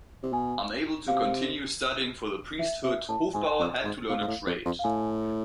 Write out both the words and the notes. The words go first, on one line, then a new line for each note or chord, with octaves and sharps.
Unable to continue studying for the priesthood, Hofbauer had to learn a trade.
C3
B2 G#5
C3 F5
E3 E5
C3 E5
A2 A5
G#2 G#5
F2
G#2
B2 F5
G#2
A2
F2
F2
F5
A2 G#5